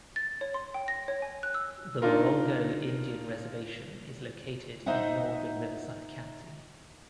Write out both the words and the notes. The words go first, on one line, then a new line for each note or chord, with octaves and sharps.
The Morongo Indian Reservation is located in northern Riverside County.
A6
C#5
C6
G5
A#6
C#5
G#5
F#6
E6
D4 D#4 F4 A#4
D#4 C5 D#5 E5 F#5